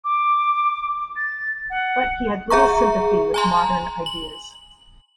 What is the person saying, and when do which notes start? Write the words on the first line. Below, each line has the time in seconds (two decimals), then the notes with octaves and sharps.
But he had little sympathy with modern ideas.
0.04 D6
1.16 A6
1.70 F#5
2.50 G#4 E5 A#5 C#6
3.34 G#5 A#5 C6
4.06 F#7